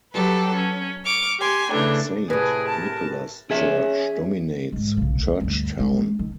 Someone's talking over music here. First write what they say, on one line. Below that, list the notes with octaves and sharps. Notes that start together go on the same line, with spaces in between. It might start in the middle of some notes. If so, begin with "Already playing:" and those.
Saint Nicholas Church dominates Church Town.
F#3 G4 A4 B4
C#4
C#6 D6 F6
G4 G#5 C6
C#3 E3 A3 D4
A2 C3 G#4 A#4 B4
A5
C#4 G#4 E5
G#2 D#3
B1 C#3
D2
D2 G2
G#3 D4
D#3